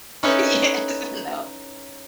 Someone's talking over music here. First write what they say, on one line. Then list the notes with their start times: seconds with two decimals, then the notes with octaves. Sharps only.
Yes. No.
0.23 C#4 D#4 E4 A4 B4 C#5